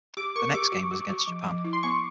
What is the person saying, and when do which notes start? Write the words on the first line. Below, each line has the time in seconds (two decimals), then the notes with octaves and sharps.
The next game was against Japan.
0.17 G4 D6
0.35 A#4 C#6
0.54 G4 D6
0.72 F#4
0.91 F#4
1.10 F#4
1.27 F3
1.46 F3
1.64 E4
1.73 C6
1.83 B3 C#6